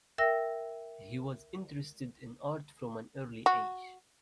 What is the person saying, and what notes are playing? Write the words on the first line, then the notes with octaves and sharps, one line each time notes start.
He was interested in art from an early age.
A#4 E5 G5 E6 A#6
F#4